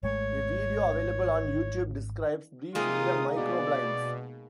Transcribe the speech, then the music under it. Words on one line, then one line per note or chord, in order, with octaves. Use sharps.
A video available on YouTube describes briefly the micro-blinds.
G#1 G#3 A3 C#5
C3 G#3 A#3 D#4 F4 D#6
B2 D5